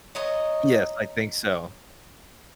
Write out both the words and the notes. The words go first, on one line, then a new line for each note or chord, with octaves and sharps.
Yes. I think so.
C#5 D#5 A#5